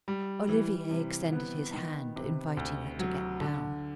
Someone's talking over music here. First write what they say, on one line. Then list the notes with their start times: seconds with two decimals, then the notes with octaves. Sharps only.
Olivier extended his hand, inviting her to get down.
0.08 G3
0.49 E3
0.91 C3
1.33 B3
1.73 D#3
2.16 C3
2.57 D2
2.99 F#3
3.41 D3